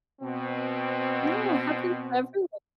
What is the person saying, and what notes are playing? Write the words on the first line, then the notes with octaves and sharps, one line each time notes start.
No, happens to everyone.
B2 C4